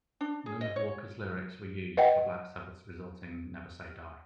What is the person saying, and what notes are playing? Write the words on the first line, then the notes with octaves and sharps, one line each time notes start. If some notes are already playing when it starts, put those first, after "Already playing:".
None of Walker's lyrics were used for Black Sabbath's resulting Never Say Die!
D4
G#4
D#5
C#5
B4 D#5 F#5 G5